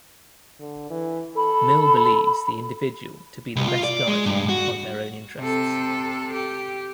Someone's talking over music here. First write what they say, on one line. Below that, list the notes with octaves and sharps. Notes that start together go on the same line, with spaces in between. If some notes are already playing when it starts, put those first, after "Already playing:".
Mill believes the individual to be the best guardian of their own interests.
D3
E3
A4 B5
C2
F4
D5
G#3
G2
F#4
C3 A4
G4